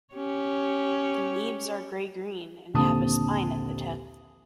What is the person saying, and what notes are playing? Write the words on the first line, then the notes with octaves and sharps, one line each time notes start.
The leaves are grey green and have a spine at the tip.
C#4 G4 C#5
A#1 D#2 D3 C4 A5 D#6